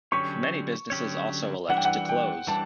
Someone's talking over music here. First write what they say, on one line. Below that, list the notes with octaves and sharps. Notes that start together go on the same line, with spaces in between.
Many businesses also elect to close.
D3 F#3 C#4 G4 C#5 C#6
D3 F#3 C#4 G4 C#5
E3 G3 D4 F#5
G5
F#5
G5
E3 G3 D4 A5